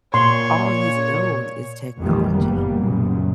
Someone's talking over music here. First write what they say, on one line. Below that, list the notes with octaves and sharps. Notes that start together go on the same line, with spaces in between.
all he's known is technology,
A#2 C#5 C6
A1 F2 A#2 D#3 E3 G3
F#1 F#2 G3 A#3 B3
B1 F#2 A#2 C#3